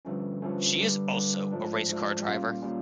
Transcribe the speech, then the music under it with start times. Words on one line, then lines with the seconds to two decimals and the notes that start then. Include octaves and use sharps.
She is also a race car driver.
0.05 G2 D3 F3 A3 C#4
0.42 G2 D3 F3 A3 C#4
0.78 G2 D3 G3
1.15 G2 D3 G3
1.52 G#2 F3 A3 D4
1.88 G#2 F3 A3 D4
2.26 A#2 G3 A#3 C#4 F4
2.62 A#2 G3 A#3 C#4 F4